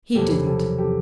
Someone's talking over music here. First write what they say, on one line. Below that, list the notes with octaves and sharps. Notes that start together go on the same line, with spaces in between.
He didn't.
F#1 E2 C3 F3 G4 A4
G4 A4
G4 A4